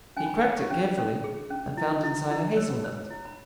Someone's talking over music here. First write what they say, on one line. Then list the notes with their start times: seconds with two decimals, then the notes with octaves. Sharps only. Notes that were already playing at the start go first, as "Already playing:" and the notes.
He cracked it carefully, and found inside a hazel-nut.
0.17 C#4 G#5
0.26 B5
0.37 G#5
0.43 C#5
0.58 C#6
0.70 C#4
0.97 C#4
1.24 G#4
1.51 C#4
1.77 E4
2.03 E4
2.31 E4
2.57 C#5 E6
2.84 C#5
3.10 E4
3.25 B5